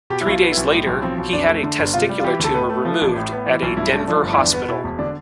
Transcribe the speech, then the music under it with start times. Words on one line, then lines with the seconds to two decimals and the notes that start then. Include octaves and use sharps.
Three days later, he had a testicular tumor removed at a Denver hospital.
0.10 B2 G4
0.21 E4
0.26 B1 F4
0.42 B3
0.52 E4
0.57 B1
0.71 A2
0.87 B1
1.02 F3 C4
1.18 B1
1.33 F2 D4
1.48 A3
1.63 D3
1.79 G1
1.94 C3 F4
2.09 G3
2.19 F4
2.24 E3 G4
2.39 D2 A4
2.54 A2 B4
2.69 A3
2.85 F3
3.01 A1
3.15 A2
3.32 B3
3.46 E3
3.62 B1
3.77 G2 E4
3.93 A3
4.08 F3 D4
4.23 G1
4.33 E4
4.38 E2 D4
4.53 B3
4.68 B2 E4
4.84 E1
4.99 D3 D4